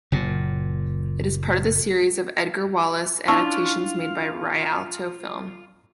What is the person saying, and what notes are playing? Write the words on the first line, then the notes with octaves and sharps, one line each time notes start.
It is part of the series of Edgar Wallace adaptations made by Rialto Film.
F#1 A#2
C#4 D4 E4 F4 A5 C#6 E6